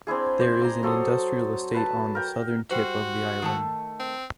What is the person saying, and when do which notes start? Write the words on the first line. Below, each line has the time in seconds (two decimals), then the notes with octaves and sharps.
There is an industrial estate on the southern tip of the island.
0.07 C4 D4 E4 G#4
0.40 C5 D5
0.61 A#5 C6
0.83 F#3 A4 C6 D#6
1.74 B4 A5 B5
2.15 A#4 G5
2.71 G3 F#4 C5
3.42 D#3 A3 A5
3.99 C4